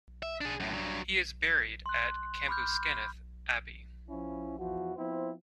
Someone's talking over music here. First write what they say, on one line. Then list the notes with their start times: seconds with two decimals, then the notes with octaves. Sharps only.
He is buried at Cambuskenneth Abbey.
0.23 E5
0.41 D4 G#4
0.60 F#2 A2
0.73 G2 F#3
1.86 C6 F#6
2.49 B5 D6 F6 G6
4.09 F3 C#4 E4
4.59 E2 F3 E4 F#4
4.96 F3 B3 C4 E4 C5